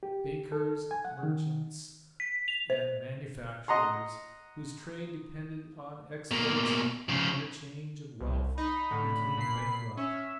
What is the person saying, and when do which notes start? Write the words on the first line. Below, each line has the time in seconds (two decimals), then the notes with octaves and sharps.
Bankers, merchants, and manufacturers, whose trade depended on exports and interchange of wealth, became bankrupt.
0.03 G4
0.52 A4
0.91 G#5
1.05 F#5
1.23 D#3
2.20 B6
2.48 F7
2.70 C5
3.68 D#5 F#5 A#5 C6
6.31 B2 A#3
7.09 C#3 F3
8.21 C2
8.58 D#4 B5
8.91 A2 D3
9.37 A#2 C7
9.97 C#4 E5